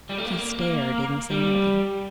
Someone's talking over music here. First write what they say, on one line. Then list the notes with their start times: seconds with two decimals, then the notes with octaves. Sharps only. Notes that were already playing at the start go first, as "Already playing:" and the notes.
He stared insanely.
0.10 G3
0.18 A3
0.26 A#3
0.61 A#3
1.30 G3